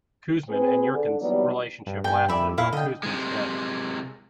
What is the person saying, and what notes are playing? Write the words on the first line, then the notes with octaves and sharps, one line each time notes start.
Kuzmin and Yurkun's relationship lasted until Kuzmin's death.
C4 G#4 B4
D3
D#2 E3 F#3 G3 B3 D5
G2
G2 G5 G#5
F2 D5 E5 B5
A#2 E4 E5 F5
D3 D#5 G5
C3 G#3